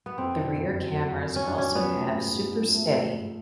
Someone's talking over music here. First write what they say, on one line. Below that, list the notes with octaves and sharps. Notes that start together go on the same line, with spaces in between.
The rear cameras also have Super Steady.
B3
F2 C4
D3
F#1
F#3
F2
D3
F#1 C#4
D4
F#3 C#4
F3 B3
A3
G#2
G#2
F3
A3
G#2
G#2